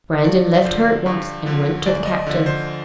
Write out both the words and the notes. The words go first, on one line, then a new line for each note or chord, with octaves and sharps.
Brandon left her at once and went to the captain.
G2 D5
D5
D3 F3 C5
G2
D3 F3
D2 D5
D#5
D3 F3
C5